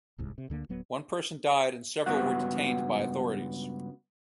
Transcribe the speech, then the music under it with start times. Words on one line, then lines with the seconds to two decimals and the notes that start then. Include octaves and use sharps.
One person died and several were detained by authorities.
0.18 D1 C2 G#2
0.38 C3
0.50 D2 D3 A#3
0.69 D1 F#3 B3
2.06 C#2 G2 B3 F#4 F#5